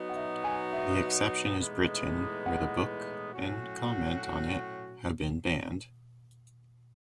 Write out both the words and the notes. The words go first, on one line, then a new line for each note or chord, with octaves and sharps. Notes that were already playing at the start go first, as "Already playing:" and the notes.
The exception is Britain, where the book, and comment on it, have been banned.
Already playing: F#3 B3 D#4 F#4
F#5
E5
G#5
E5
A2 E3 G#3 B3 D#4
F#5
A2 F#3 C#4 F#4